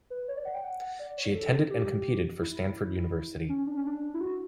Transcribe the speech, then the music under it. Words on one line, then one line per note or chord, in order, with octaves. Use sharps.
She attended and competed for Stanford University.
B4
C#5
D5
F#5
G5
F#5
F#5
D5
C#5
A4
G4
E4
C#4
D4
C#4
D4
E4
F#4